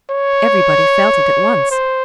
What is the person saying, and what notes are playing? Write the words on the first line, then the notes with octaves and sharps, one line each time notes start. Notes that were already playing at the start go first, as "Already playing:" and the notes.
Everybody felt it at once.
C#5
C5